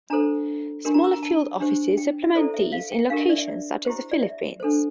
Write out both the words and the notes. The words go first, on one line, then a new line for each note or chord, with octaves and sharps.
Smaller field offices supplement these in locations such as the Philippines.
D4 A4 C5 A#5
D4 G4 A#4 C6
A#5
E6
A#5
A5
D4 G4 C5
G5
E5
E4 A4 C5 D5
E5
F5
G5
D4 G4 A#4 F5
E5
D5
E5
D5
E4 G4 C5
D5
E5
D4 A4 C5